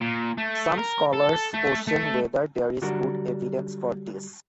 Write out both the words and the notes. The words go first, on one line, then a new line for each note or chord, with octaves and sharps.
Some scholars question whether there is good evidence for this.
A#2
A3
A#4
A4
A3
A3
D3 F#3 G3 D4 F#4 A#4